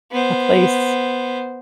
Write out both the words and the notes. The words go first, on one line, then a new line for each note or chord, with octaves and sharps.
a place,
B3 C5